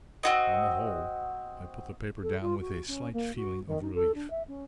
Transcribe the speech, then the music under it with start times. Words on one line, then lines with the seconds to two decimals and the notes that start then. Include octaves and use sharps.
On the whole, I put the paper down with a slight feeling of relief.
0.23 C4 F#4 D#5
2.22 A4
2.40 F4
2.60 F#4
2.87 C#4
3.13 A#3
3.35 F#4
3.66 D#3
3.81 D#4
3.94 A4
4.14 D4
4.30 E5
4.47 C#4